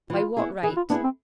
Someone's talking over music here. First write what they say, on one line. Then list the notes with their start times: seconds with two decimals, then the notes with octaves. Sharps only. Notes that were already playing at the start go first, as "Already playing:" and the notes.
By what right?
0.10 E3 F4
0.37 B3 E4 G#4
0.63 E3 G#4
0.76 F4
0.90 B3 D4 E4 G#4
1.04 C4